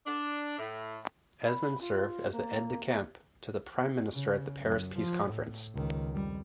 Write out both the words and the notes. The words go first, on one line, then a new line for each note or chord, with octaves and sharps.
Esmond served as Aide-de-Camp to the Prime Minister at the Paris Peace Conference.
D4
A2
B5
F4
A#3
C#3
F#2
F3
A2
C#2 D#3
F2 G3